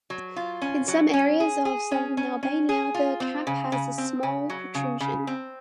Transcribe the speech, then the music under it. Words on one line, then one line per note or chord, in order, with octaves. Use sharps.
In some areas of southern Albania the cap has a small protrusion.
F#3
F4
C#4
F#3
C#4
G#4
G#4
C#4
C#4
C#4
G#4
F4
C4
C#3
C#3
C4
C#3
F#3
C#3
C#3
C4